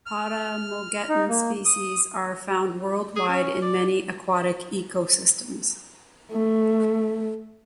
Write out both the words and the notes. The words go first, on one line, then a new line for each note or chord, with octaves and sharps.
"Potamogeton" species are found worldwide in many aquatic ecosystems.
F6
D#4
A#3
D#6
G#4
C#4
D5
A3